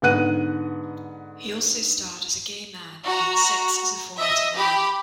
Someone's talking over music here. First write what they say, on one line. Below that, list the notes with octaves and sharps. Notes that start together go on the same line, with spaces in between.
He also starred as a gay man in "Sex Is a Four Letter Word".
G#2 D3 B3 F#5 F#6 D#7
F#4 A#5
D#5 E5
G4 B5